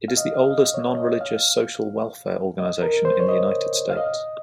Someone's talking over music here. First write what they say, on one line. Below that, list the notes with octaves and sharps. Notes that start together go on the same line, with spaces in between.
It is the oldest non-religious social welfare organization in the United States.
F5
D#5
F5
D#5
C#5
D#5
F5
D#5
A#4
C5
C#5
D#5
F5
D#5